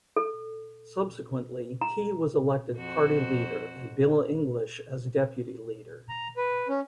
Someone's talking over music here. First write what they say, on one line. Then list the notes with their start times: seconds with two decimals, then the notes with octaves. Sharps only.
Subsequently, Key was elected party leader and Bill English as deputy leader.
0.16 A4
1.81 A#5
2.75 F2 F#4 C5
6.09 A#5
6.37 B4
6.68 C#4